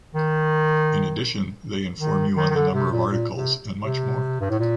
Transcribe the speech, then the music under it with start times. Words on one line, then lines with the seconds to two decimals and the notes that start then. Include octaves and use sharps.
In addition, they inform you on the number of articles and much more!
0.15 D#3
2.00 D#3
2.37 D#3
2.50 D#3
2.55 D3
2.74 C3
2.92 A#2
3.11 A#2
3.36 C3
3.84 C3
4.41 G2
4.50 A2
4.59 A#2